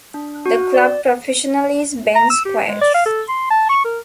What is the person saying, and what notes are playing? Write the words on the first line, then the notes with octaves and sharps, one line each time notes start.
The Club Professional is Ben Squires.
D4
F#4
D5
A#5
E6
G4
G#3
D5
F5
A4
C6
A5
C#6
A#4